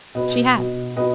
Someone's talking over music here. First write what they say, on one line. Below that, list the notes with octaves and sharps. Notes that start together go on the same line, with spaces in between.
She had.
B2 B4 D#5
B2
B2 B4 D#5